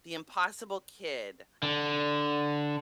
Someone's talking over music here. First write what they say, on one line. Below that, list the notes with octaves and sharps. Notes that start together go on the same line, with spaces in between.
The Impossible Kid.
D3